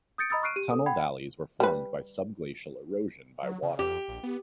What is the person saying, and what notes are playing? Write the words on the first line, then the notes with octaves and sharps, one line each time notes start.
Tunnel valleys were formed by subglacial erosion by water.
D#6 G6 A6 C#7 D7
D#5 A#5 B5 D#6 E6 A6
C#6 F6 F#6 C7 D7 D#7
G4 D#7
A4 D#6
F#5 G5 B5 G#6
G3 B4
F#3
C#3
F2 G4
A#1
B3